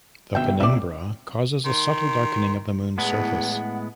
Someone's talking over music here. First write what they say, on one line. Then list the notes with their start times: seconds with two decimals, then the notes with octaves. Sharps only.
The penumbra causes a subtle darkening of the moon's surface.
0.35 G1 B2 E5 G5
0.60 C#2 A#2 C4 D5 E5
1.65 D#3 C6
2.98 E2 A2 G#3 B3 F#5